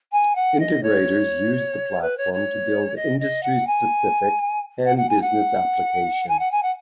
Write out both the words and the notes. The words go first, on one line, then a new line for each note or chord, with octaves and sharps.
Integrators use the platform to build industry-specific and business applications.
G#5
F#5
D#5
C#5
B4
C#5
C#5
D#5
D#5
F#5
G#5
F#5
F#5
G#5
F#5
G#5
F#5
G#5
F#5